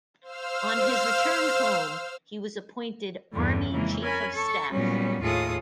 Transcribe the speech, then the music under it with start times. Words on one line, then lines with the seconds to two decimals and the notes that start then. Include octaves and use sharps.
On his return home, he was appointed Army Chief of Staff.
0.21 C5 F5 E6 F6
3.33 E2 G2 D3
3.71 F2 C#3 E3 G#3 A#3
4.02 C#4 A#4 G#5 B5
4.34 A4 C#6
4.72 A#2 F#3 G3 B3 C#4
5.21 D#2 A2 F4 G#4 A4 D#6